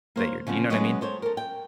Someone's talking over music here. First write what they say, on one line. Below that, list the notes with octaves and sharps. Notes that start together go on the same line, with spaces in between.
that you're you know what I mean?
A#3 C5 C#5
C#3 F3 B3 C4
F#3 G#3 B3 C#4 C#5 D#5
A4 C5 C#5
A4 A#4
G5